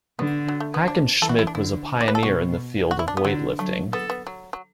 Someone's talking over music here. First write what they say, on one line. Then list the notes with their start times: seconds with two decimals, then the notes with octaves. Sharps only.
Hackenschmidt was a pioneer in the field of weightlifting.
0.19 D3 B3
0.48 F#3
0.60 A3
0.74 B3
0.88 D4
1.21 E3 A4
1.29 F#4
1.39 E4
1.47 D4
1.55 D3 E4
2.01 D5
2.08 B4
2.15 A4
2.23 B2 F#4
2.91 F#4
2.99 E4
3.08 D4
3.17 B3
3.25 D3 F#3
3.59 F#3 A3
3.93 B3 A4
4.10 B3
4.27 F#3
4.53 F#3